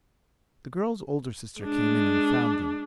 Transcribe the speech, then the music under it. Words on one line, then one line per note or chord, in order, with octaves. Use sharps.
The girl's older sister came in and found them.
G#3 D4